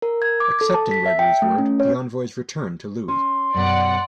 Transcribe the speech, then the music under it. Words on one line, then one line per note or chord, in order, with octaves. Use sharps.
Accepting Gregory's word, the envoys returned to Louis.
A#4
G#6
D6
A4
A5
B6
E5
G5
A3
C#4
C#5
C#4 C6
F#2 B2 D5 F#5